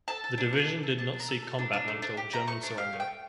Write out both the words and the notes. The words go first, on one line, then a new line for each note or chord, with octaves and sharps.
The division did not see combat until German surrender.
A4 A5
A4
D4
D4
A4
A4
D4 A5
D4
A#5
A4
A4
D4
D4
A3
D4
G4
A3 A#5
A3 C#6
D4
G4 F5
A3
G5
A3